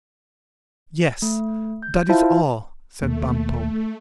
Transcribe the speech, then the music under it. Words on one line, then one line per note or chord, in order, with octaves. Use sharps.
"Yes, that is all," said Bumpo.
A3
G6
E4 F4 C5 E5 F5 A5
D#2 B2 A3 A#3